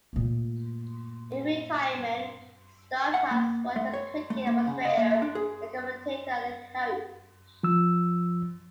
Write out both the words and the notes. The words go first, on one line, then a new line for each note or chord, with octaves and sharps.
In retirement, Stott has worked as a cricket administrator, a commentator and a coach.
A#2 A3
F#5
A#3
A3
C#5
A3
A#3
C#3
D#5
A#3
D4
G#4
F3 E6